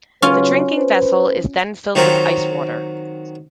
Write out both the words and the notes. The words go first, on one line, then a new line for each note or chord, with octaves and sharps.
The drinking vessel is then filled with ice water.
C#3 F#3 C#4 F4 B4
B4 C5
D#3 F#3 C4 F4 A#4 C#5